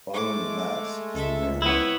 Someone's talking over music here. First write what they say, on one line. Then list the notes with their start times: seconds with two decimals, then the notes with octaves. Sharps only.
Following the mass is the burial.
0.13 G#3 A3 D6
1.15 C#2 A4 E5
1.62 B3 C4 E4 B4 C#5